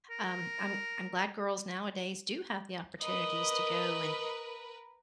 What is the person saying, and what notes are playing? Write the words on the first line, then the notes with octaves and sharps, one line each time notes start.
Um, I'm I'm glad girls nowadays do have the opportunities to go and
A#4
A#4 B4 D#5